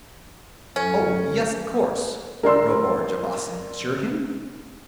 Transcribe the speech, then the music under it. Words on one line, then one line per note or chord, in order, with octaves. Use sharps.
"Oh, yes, of course," Rovard Javasan assured him.
F#2 C#4 A4
A#4 D5 C6 E6